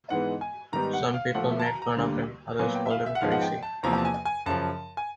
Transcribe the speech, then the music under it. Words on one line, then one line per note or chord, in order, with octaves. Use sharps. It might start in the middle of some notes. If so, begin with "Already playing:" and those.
Some people made fun of him, others called him crazy.
G#2 E3 G#3 B3 F#5
G#5
G#2 D#3 G3 B3 A#5
F#5
F5
A#2 F3 A3 F#5
E5
A5
A#5
A#5
D2 D3 G3 A#3
A#2 F#3 B3 G#5
G5
E5
F5
E5
F#5
G#2 F3 G#3 B3 F5
F#5
G5
A5
E2 C3 F3 A#3 A#5
A5
G#5
G#5
F#2 C#3 F3 A5
G#5